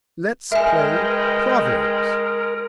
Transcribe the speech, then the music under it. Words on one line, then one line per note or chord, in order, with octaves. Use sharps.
"Let's play proverbs."
G#3 A#4 B4 D#5 E5 G5 G#5